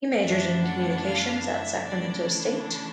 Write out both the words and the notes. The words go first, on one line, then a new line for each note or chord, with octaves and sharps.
He majored in communications at Sacramento State.
F#2 C#3 E3 A3 D4 E5
F#5
F5
E5
C#3 E3 A3 D4 D5